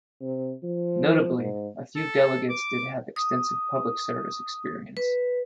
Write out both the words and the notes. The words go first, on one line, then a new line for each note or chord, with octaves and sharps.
Notably, a few delegates did have extensive public service experience.
C3
F3
G#2
A4
D6
D#6
B4